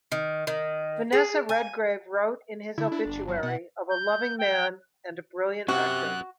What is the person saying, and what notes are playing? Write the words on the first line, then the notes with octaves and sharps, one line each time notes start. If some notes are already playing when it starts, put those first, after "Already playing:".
Vanessa Redgrave wrote in his obituary of a "loving man" and a "brilliant actor".
D#3
D#3
G#4
G#5
D3 E4
D4 E4
G1
F#3
B2 F#5
G6
G5
C3 C#4 F#4 F#5 F#6